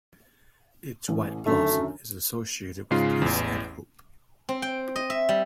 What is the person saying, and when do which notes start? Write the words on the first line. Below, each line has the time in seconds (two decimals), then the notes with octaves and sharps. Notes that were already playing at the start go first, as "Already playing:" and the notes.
Its white blossom is associated with peace and hope.
1.08 A1 E3
1.46 F#2 D3 D#3 A3
2.91 G#2 C#3 G#3 F4 C7
3.22 A1 E2
4.49 C4
4.62 G5
4.96 D#5
5.10 E5
5.29 G3